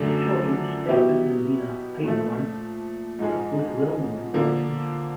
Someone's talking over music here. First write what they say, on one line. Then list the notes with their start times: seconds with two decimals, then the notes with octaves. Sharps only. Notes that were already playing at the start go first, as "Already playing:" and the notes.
His children, Stefan and Lena Einhorn, are both well-known authors in Sweden.
Already playing: F#2 D3 F3 A3 D4
0.88 B2 F#3 B3 E4 G4
2.03 A#2 F3 A3
3.19 G#2 F3 G#3
4.34 D3 F3 A#3